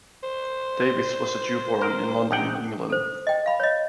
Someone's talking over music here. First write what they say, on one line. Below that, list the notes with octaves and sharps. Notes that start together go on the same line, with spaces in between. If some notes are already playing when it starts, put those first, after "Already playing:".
Davies was a Jew born in London, England.
C5
A#4
A#1 D#4 F#5 G5
A4 C5
D#5 G5
F5 B5
C#5 D#5